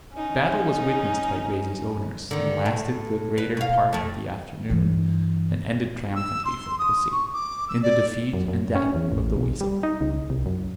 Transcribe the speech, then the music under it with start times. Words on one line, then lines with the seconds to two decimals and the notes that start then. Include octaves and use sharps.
The battle was witnessed by Graysie's owners, and lasted the greater part of the afternoon, and ended triumphantly for pussy, in the defeat and death of the weasel.
0.14 C#4 D#4
2.31 D3 D#3
2.66 A2
3.38 B4
3.57 B2 F5
3.93 F2 A3
4.70 G2 E3
6.15 E6
6.45 C6
6.79 D#6
7.11 C#6
7.33 D6
7.68 E6
7.83 D5
8.33 F#2
8.48 F#2
8.75 C#4
8.95 E2
9.12 A1
9.37 B1
9.61 G3
9.83 D#4
10.01 C#2
10.30 C2
10.46 F#2